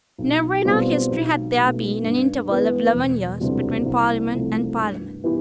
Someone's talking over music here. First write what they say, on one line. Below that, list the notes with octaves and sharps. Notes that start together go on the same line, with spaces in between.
Never in our history had there been an interval of eleven years between Parliament and Parliament.
B1
B2 G3 C4 F4
B1
B2 A3
G2
E3 B3
E1
D2 C3 E3 G3
C2
C3 F3 A3
G2
E3 B3 E4 G4